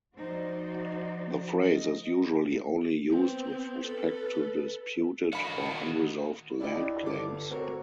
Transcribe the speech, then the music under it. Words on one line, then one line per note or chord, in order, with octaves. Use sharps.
The phrase is usually only used with respect to disputed or unresolved land claims.
F3 D#4 F#4 C5 D5
D#5
B3 C4
A4 B4
D#3 F#4 F5 B5
D4 E4 F4 G4 D5 D#5
G1 A4 D6
A3 C4 F#4 A#4 C#5